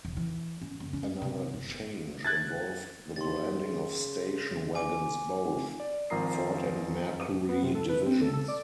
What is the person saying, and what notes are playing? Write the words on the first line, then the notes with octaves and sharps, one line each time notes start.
Another change involved the branding of station wagons both Ford and Mercury divisions.
E1
E3
C#4
F#1
C#4
C3
G1
F#6 G#6 A6
D#2 C6 A6
C#3
G#5 D6
F1
D5
G#1 F3 A#4 A#5 D#6 C7
B3
C3
A4
B4
C4
A4
A4
D5